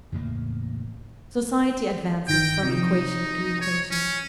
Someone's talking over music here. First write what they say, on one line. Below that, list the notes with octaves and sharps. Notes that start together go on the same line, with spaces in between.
Society advances from equation to equation.
E2 A2 C#3 A#3
G1 D#3 G5 A#6
C3 F3 D#4
C#5
C#4